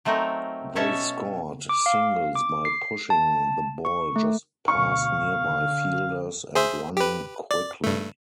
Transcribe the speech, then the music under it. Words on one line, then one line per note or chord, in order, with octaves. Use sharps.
They scored singles by pushing the ball just past nearby fielders and running quickly.
F#3 A3 C4 D#4 A#4
B2 C#4 A4 C#5 E5
D6
F5
D6
C7
A5
C#6
A3
D2 B2 F5 C#6
D3
G#4 C5 E5
G4 B4
D5
G2 A3